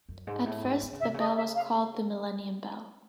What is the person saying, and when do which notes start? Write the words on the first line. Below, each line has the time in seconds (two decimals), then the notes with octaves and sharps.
At first the bell was called The Millennium Bell.
0.09 F#2
0.27 G#2
0.46 A2
0.64 G#2
0.82 D3
0.93 C#3
1.00 E5
1.03 C3
1.14 C#3 D#5
1.36 E5
1.55 F5